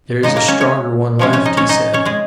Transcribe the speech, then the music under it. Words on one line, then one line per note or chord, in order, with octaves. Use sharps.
"There is a stronger one left!" he said.
C#3 G#3 D#4 D#5
A#3 A#4
C#4 C#5
C#4 C#5
C3 F3 G#3 C#4 C#5
C#4 C#5
D#4 D#5
C#4 C#5
D#4 D#5
C#4 C#5
G#3 G#4